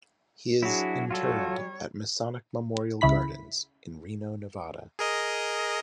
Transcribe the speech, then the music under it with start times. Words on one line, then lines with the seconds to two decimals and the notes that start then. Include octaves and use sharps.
He is interred at Masonic Memorial Gardens in Reno, Nevada.
0.63 F#3 D4 E4 F#4 G#4
1.11 G3 F4 F#4 A4 C#5
3.01 C#2 C#3 E4 B5 B6
4.99 G#4 A#4 D#5